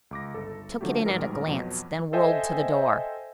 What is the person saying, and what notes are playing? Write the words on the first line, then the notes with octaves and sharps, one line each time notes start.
He took it in at a glance; then whirled to the door.
C#2 D6 A#6
G1 A4
D3 F3 F#3 A3 G4
A1 G#2 F#3 G3 A#4
F2 B2 F#3
A4 C5 D#5 E5 G5 G#5